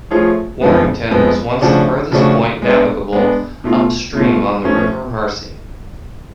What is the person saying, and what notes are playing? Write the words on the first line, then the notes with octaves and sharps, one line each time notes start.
Warrington was once the furthest point navigable upstream on the River Mersey.
F3 A3 F4 G#4 C#5
F2 F3 G#3 B3
F2 F3 G#3 B3
C#3 F3 A3 D4 F#4
C#3 F3 A3 D4 F#4
G#3 B3 D4
G#3 B3 D4
B2 A3 F4
B2 A3 F4
F3 A3 C#4